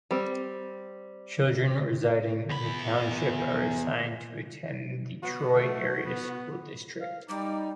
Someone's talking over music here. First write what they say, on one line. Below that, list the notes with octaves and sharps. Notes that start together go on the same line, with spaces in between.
Children residing in the township are assigned to attend the Troy Area School District.
G3 C4
E2 B5
B3 F#4
A3
B3
F5
G3 D#4 D6